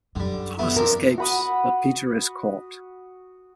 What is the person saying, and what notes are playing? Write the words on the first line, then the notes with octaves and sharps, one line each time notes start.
Thomas escapes, but Peter is caught.
F#2 D3 G3
A3 B3 E4
F3 C4 D4 A#4
F#4 B5 D#6